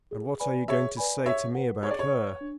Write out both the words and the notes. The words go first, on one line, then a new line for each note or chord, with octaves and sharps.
"And what are you going to say to me about her?"
G#4
B4 D5 G#5 B5
G#4 C#5 E5
B4 D5 G#5 B5
G#4 C#5 E5
B4 F#5
G#4 C#5
D5
C#5
B4 F#5
D4